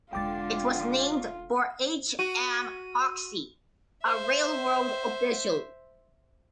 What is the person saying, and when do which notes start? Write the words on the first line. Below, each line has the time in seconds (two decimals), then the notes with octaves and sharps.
It was named for H. M. Hoxie, a railroad official.
0.13 E1 D3 G#3 F4 G5 D6 A6
2.19 F#4 D#7
4.04 C5 E5